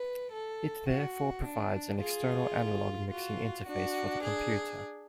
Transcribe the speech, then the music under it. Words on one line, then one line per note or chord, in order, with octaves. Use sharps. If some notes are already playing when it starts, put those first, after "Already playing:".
It therefore provides an external analog mixing interface for the computer.
Already playing: B4
A4
F#4
D4
F4 G#4
F4 F#4
D4 F#4
G#4